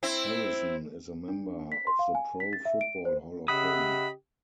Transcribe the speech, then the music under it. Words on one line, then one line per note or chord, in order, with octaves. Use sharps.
Harrison is a member of the Pro Football Hall of Fame.
C4 E4
D4
B6
C6
F5
G#5
B6
A6
E5
D7
C5
C#3 G4 D#5 E5 F#5 B5 D#6